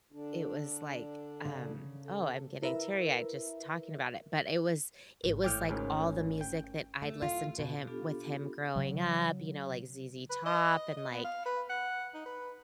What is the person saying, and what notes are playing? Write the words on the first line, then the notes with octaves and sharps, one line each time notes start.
it was like, um oh, I'm getting teary-eyed just talking about it, but it was it was like all the music that I'd listened to him with him growing up, you know, like ZZ Top and, like,
D3 D4
C#3
A4
E4 A#4 B4 E5
G#1
A2 G5 D6 F6 G6
C#2 G#2 A3 C#4 A#4
G5
A3
F4
B2
B3 D4 F4 G4 A4
C#3 F#3
B4
D#5
D#5
B3
F5
B4
F#5
D#4
B4